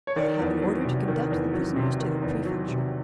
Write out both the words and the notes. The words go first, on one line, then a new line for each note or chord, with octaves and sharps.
"I have an order to conduct the prisoners to the prefecture."
C#5
D#3 D5
E2
F#3
C3
D#3
E2
F#3
C3
D#3
E2
F#3
C3